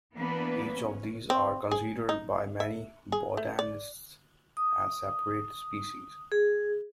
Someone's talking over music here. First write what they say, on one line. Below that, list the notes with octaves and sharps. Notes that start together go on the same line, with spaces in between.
Each of these are considered by many botanists as separate species.
E3 A#3 B3 D4 B4
C#4
C4
G#4
D#4
E5
G#4
A3
D5
D#6
G#4